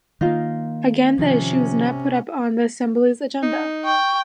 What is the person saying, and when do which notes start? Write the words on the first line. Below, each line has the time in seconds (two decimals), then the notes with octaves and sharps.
Again the issue was not put on the Assembly's agenda.
0.21 D#3 A#3 D#4 F4
1.19 C3 D#3 F3 C#4
3.42 D#4
3.85 G5 C#6